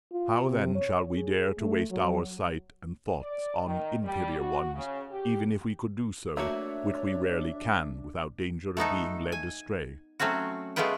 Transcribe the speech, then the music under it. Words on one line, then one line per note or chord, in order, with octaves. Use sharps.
How then shall we dare to waste our sight and thoughts on inferior ones, even if we could do so, which we rarely can, without danger of being led astray?
F4
C3
C#5
G#4
A3
F#3
D5
D#3
G3
F#4
C#3
G4
A3 A#3 D4 F#4 C#5 E5
A3 B3 D#4 A4
G#5
F#3 A3 C4 C#4 F#4
G#3 A3 B3 F4 B4 G5